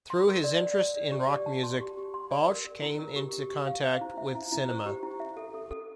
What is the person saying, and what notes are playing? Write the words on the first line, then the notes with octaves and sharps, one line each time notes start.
Through his interest in rock music, Bausch came into contact with cinema.
C6
A#4
D5
D5
D5
D5
G4
D5
A5
C6
G4
G4
C6
D5
A#4
A#4
E4
A#4
G4
G4
G4
F5
C5
E4
E5
E4
E4
C5
G4
E4
E5
A4
A4
A4